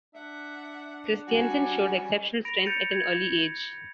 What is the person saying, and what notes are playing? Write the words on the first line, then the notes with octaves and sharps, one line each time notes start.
Christiansen showed exceptional strength at an early age.
D4 E5 F#5
G3 C#4 F#4 G#5
B5 A#6 D7 F7
G6 A6 A#6 C#7 D#7 F7
G#6